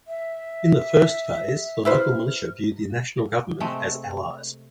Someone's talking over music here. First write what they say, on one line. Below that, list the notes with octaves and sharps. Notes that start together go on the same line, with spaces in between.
In the first phase the local militia viewed the national government as allies.
E5
E4 B4 C5 F6
C3 G#3 A3 C4